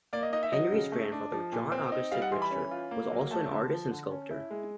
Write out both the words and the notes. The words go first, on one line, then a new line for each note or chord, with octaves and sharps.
Henry's grandfather, John Augustus Richter, was also an artist and sculptor.
A#3 D5
D#5
D#4 D#5
E5
F#3 D#5
C#3
A3
D4
F3
A#2
C4
D#4
G3 F5
F#5
E3 C6
B5
C#4
F4
A#3
F#3
A3 A5
D3
F3
D3
C#4
E4
G#3